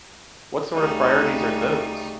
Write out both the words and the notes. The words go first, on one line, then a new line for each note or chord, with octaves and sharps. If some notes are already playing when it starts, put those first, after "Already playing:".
What sort of priorities are those?
D2 C#3 G3 D#4